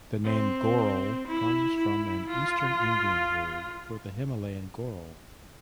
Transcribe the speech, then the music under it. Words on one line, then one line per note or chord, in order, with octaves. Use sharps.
The name "goral" comes from an eastern Indian word for the Himalayan goral.
C4
E4
E4
F4